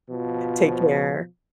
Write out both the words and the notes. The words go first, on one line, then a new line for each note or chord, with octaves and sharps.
Take care.
B2 F3